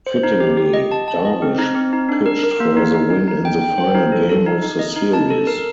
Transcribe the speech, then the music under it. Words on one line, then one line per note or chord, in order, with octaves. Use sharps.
Fittingly, Darvish pitched for the win in the final game of the series.
C5
D#4
G4
G4
D#5
A5
A5
D#5
C4
D#4
C4
D#4
D4
A#4
A#4
A#3
D#4
D#4
D#4
D#4
G5
G5
C5
D#4
A4
A4
D#4
D#4
D#5
D#4
A5
A4
A#4